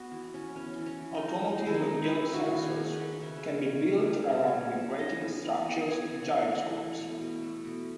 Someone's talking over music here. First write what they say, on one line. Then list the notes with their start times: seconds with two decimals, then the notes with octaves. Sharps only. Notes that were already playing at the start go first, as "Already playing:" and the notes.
Automotive yaw sensors can be built around vibrating structure gyroscopes.
Already playing: B3 F#4
0.12 E3
0.34 E3 C#4
0.56 B3 C#4
0.78 E3
0.86 C#4
1.01 E3
1.15 D#4
1.22 E3
1.45 A3 D#4
1.66 D#3 E4
1.74 D#4
1.89 A3
2.04 E4
2.11 A3
2.33 D#3 F#4
2.55 D#3
2.63 G#4
2.78 D#3
2.93 B4
3.00 A3
3.22 C#3 E5
3.44 C#3
3.66 F#3
3.88 C#3
4.10 C#3
4.33 C#3
4.54 A3
4.76 C#3
4.99 E3 D#5
5.21 B3
5.43 B3
5.65 B3
5.87 B3 C#5
6.09 E3
6.32 B3
6.54 E3
6.76 A3
6.99 B2
7.21 B2
7.43 A3
7.65 B2